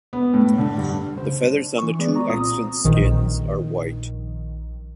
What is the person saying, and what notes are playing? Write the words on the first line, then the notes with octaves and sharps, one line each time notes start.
The feathers on the two extant skins are white.
B3
A2
D3
G2
C2 C#3 C5
D4
E3 C#6
G#3 B3 G#4 D5
A#5
C2 A#2 C4 F4 A#5 D#6
A#1 D#3